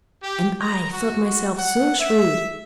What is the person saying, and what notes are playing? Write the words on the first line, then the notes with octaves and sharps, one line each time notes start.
And I thought myself so shrewd!
G4
A#5
F#4
F#4
F#5
E5